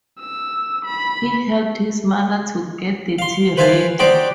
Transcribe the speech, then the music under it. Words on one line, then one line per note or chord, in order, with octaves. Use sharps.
He helped his mother to get the tea ready.
E6
B5
F5 C6
B4 C5 E5 F5 G#5 A5
D#4 F#4 G4 C5 D5